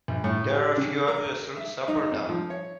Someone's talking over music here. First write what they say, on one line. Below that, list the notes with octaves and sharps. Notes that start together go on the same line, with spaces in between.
There are few obvious routes up or down.
A#1
A2
G4
C#3
A#4
E5
D#4
F2
F3
C#5